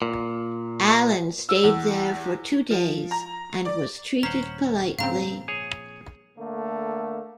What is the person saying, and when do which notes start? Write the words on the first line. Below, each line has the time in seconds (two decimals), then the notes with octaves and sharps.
Allen stayed there for two days and was treated politely.
0.02 A#2
1.49 E6
1.63 E2
2.71 F3
3.11 A#5
3.65 D5
4.23 D#1 C#4 C5 F#5 A#5
4.99 A#1 G#2 C#3 C4 F5 A#5
5.48 G#4 C#5
6.37 D3 A3 A#3